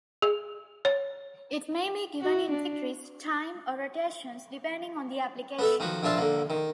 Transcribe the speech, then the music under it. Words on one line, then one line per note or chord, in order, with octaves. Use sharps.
It may be given in degrees, time, or rotations depending on the application.
G#4
C#5
F#4
D4
B3 A4 E5
D#3 F3 F#4
A#1 D4 F4 E5 F5 A5
D3 A#3
D#3